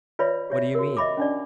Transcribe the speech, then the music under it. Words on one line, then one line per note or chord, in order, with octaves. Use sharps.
"What do you mean?"
F4 B4 C#5 D5 E5 B5
G4 C#5 E5
F#4 A#4
D#5 E5 B5 D6
C#4 D4 D5